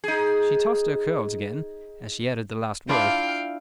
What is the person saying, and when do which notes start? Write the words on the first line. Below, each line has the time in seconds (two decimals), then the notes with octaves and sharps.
She tossed her curls again, as she added the last word.
0.04 D#4 G#4
2.89 D4 E4 F4 F5 G5